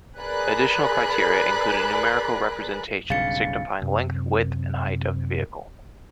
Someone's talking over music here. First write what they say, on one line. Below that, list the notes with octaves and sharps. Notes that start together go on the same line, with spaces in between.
Additional criteria include a numerical representation signifying length, width and height of the vehicle.
G#4 A#4 B4 D5 B5 F#6
B1 G2 C#3 F5 A6 C#7
F#2 C3